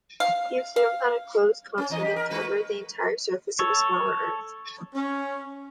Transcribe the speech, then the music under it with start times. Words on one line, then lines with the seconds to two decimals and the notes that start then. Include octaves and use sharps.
He assumed that a closed continent covered the entire surface of a smaller Earth.
0.20 F5
0.76 F5
1.78 C#4
1.90 E2 D#5
2.05 G4
2.16 A#4
2.30 G#3 F#4 B4
3.59 A4 C#5
4.94 C#4